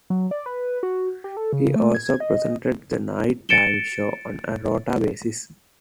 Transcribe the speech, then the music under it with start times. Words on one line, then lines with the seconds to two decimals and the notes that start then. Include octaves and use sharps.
He also presented the night-time show on a rota basis.
0.10 F#3
0.31 D5
0.46 B4
0.83 F#4
1.24 G4
1.37 A4
1.53 C#3
1.76 A3
1.95 G#6
2.20 D#5
3.49 A6 C#7 D7 E7 G7